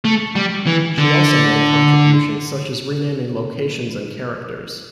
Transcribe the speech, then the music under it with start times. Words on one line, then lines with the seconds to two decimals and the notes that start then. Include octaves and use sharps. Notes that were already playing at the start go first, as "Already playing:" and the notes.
She also made contributions such as renaming locations and characters.
0.05 A3
0.36 G3
0.67 E3
0.98 D3